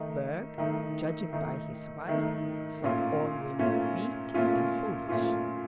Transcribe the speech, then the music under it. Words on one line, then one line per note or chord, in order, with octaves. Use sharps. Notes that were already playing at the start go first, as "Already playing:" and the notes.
Berg, judging by his wife, thought all women weak and foolish.
Already playing: D#3 A3 D#4
D#3 A3 D#4
D#3 A3 D#4
D#3 A3 D#4
A#2 A3 C#4 F4
A#2 A3 C#4 F4
A#2 A3 C#4 F4
A#2 A3 C#4 F4